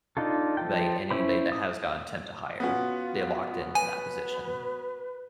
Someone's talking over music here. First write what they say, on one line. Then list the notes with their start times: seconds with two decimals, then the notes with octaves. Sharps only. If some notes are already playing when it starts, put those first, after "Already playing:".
by anybody that has gotten temp-to-hire, they're locked into that position.
0.17 D4 D#4 F4 A4
0.57 F3 A4 G5
1.11 C#4 E4 C5 B5
1.52 D#6
2.60 B3 C#4 F4 F#4
3.75 B4 G#5